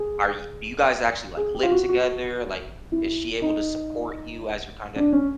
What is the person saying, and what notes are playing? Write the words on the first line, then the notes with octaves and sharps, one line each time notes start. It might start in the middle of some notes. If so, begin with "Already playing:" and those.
are y do you guys actually, like, live together? Like, is she able to support you as your kinda
Already playing: G#4
G#4
G4
F4
F#4
F#4
E4
D#4
D4
C#4